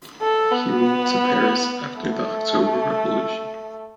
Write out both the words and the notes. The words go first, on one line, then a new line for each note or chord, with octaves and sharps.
He moved to Paris after the October Revolution.
A4
B3
A3